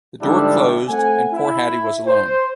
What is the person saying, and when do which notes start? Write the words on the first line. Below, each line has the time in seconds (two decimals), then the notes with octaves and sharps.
The door closed, and poor Hattie was alone.
0.22 G#2 D3 F3 G3 D4 E4
0.88 A3 C4 F#5 G#5
1.33 E4
2.06 C5